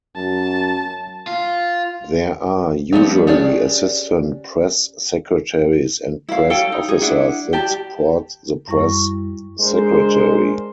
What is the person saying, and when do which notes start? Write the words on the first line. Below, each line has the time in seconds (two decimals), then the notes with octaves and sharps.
There are usually assistant press secretaries and press officers that support the press secretary.
0.16 F#2 A5
1.27 F4
2.92 F3 G3 A3 B3 C4
3.27 C#4 D4 G4 G#4 D5
6.29 E4 F5
6.50 A4 C#5 F5 G5
6.72 D#4
6.88 G#4
7.01 D4 E4 F#5
7.53 G4 D5 A5
8.68 F#2 G3 E4 C#6
9.60 G#3 D4 A#4 C5